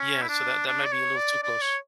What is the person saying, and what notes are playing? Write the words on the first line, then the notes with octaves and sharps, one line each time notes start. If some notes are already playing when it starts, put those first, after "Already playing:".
Yeah. So, that that might be a little too close.
Already playing: C#4
E4
D4
D4
D5
C#5
D5
D5
C#5